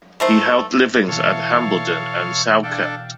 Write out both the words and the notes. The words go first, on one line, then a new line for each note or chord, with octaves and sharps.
He held livings at Hambleden and Salkeld.
D#3 A3 C5
B2 E3 A4 C#5 F5
D4 A4 F5 G5 D6